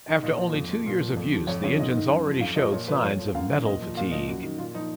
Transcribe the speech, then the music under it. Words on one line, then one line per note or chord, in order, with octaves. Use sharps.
After only two years of use, the engines already showed signs of metal fatigue.
D#3
A#2 D#5
F3
F2
F3
A#2
F3
F2
F3
F2 C#5
C#3 F3 C#5
G#2 D#5
D#3
F#2
F3
F2 F5
F3 D#5
A#2 C#5
F3 B4
F2 C#5
F3
F#2 F5
D#3
A#2 D#5
F3
A#2 F5
F3 D#5
F#2 F#4
D#3
A#2 F4
F3 D#4